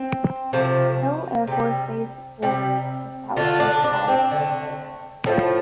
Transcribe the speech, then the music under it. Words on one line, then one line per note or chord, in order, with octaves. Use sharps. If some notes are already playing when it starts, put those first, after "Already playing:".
Hill Air Force Base borders the southwest side of the city.
Already playing: C4
C3 F3 A3
C3 G3
C3 G3
D3 A3 F4
D4
D4
C4
D3 A3
A2 F3 A3